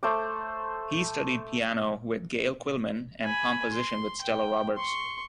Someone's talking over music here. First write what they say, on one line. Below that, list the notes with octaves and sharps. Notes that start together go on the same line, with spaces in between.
He studied piano with Gail Quillman and composition with Stella Roberts.
A3 C5 D6
G#5 B5
C6
G5
C6 C#6